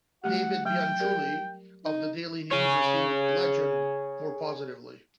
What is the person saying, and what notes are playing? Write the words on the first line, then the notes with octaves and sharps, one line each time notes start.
David Bianculli of the Daily News received "Legend" more positively.
G3 A3 G4 F#5
F#3 G5
G4 A#4 D5
D#4
G#4 C#5